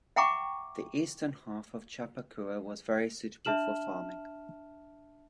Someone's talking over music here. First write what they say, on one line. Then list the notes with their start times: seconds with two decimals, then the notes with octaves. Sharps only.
The eastern half of Chappaqua was very suitable for farming.
0.16 E5 F#5 G5 A#5 C#6 D6
3.45 D4 E5 A5 F6 E7 F#7